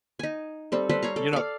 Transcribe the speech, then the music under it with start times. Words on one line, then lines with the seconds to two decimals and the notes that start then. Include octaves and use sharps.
you know
0.19 D#4 G#5
0.72 G3 C4 A4
0.89 G3 A4 B4 C5
1.03 C#5 F5 A#5
1.16 A4
1.33 D5 F5